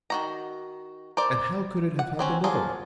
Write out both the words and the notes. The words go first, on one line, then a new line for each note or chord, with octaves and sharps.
And how could it have happened otherwise?
D#3 F#4 A#5
A#4 C5 D5
F#5
F#3 C4 C#4
F3 F#3 A#3 F4 G#4